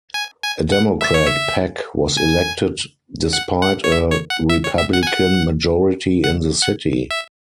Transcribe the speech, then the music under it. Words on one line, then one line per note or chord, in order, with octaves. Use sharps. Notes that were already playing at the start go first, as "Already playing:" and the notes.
A Democrat, Peck was elected despite a Republican majority in the city.
G#5
G#5
F#5
E5
C#5
E5
G#5
F#5
F#5
C#5
E5
C#5
F#5
E5
C#5
E5
F#5
G#5
F#5
F#5
F#5
E5